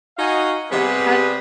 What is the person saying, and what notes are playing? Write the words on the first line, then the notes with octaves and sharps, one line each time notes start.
but, how d
D#4 F#4 D#5 F5 F#5 G#5
C3 G3 B3 G4 G#4 B4